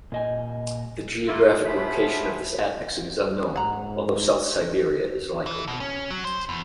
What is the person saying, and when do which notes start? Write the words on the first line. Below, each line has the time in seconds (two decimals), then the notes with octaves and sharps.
The geographic location of this admixing is unknown, although south Siberia is likely.
0.12 A#2 D#5 G#5
1.27 A#3 E4 F4
1.66 B2 F3 F#3 E5 G#5 B5
3.56 G#2 F#5 A#5
5.47 E3
5.68 B2
5.80 C#4
6.11 F#3
6.25 C5
6.49 E2